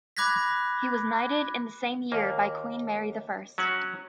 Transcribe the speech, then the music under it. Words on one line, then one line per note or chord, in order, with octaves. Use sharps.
He was knighted in the same year by Queen Mary the First.
B5 D6 F#6 G#6 A#6 B6
D#2 A#3
F#3 C#4 F#5